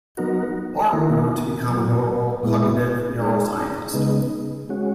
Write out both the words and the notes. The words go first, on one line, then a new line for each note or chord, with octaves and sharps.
Barke went on to become a notable cognitive neuroscientist.
F#3 B3 D#4 F#4 A#4
D#3 A#3 E4 A#4
A#2 F#3 B3
A#2 G#3 B3 E4
G#3 D#4 G#4
C#3 G#3 B3 D#4
G#3 C#4 F#4